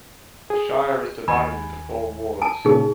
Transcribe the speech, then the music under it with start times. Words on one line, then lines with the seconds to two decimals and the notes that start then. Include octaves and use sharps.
The shire is divided into four wards.
0.50 G#4
1.28 D#2 G#5 B5
2.42 G#5 A5
2.65 A#2 C#3 D#4 G#4